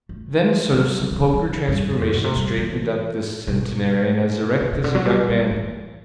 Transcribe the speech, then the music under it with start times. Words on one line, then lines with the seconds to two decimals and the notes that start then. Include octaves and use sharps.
Then a sort of sepulchral transformation straightened up this centenarian as erect as a young man.
0.09 A3
0.72 G3
0.78 F#3
0.99 F#3
1.11 E3
1.33 F#3
1.45 B2
1.68 G2
1.91 F#2
2.02 E2
2.13 B2
2.24 C3
2.36 G3
2.58 E3
3.48 B2
4.61 A2
4.73 C3
4.84 D3
4.95 F#3
5.05 G3
5.29 G3
5.51 E3